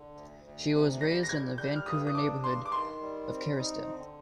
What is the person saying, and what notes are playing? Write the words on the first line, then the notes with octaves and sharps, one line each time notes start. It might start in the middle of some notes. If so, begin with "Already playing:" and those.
She was raised in the Vancouver neighbourhood of Kerrisdale.
Already playing: D3
D2
D2
C3
G3 A#6
A#6
G3 G#6
G3 G6
F6
G2 D#6
D#6
D4 D6
G2 C6
D6
D#3 C6
G3
C4
D#4
D3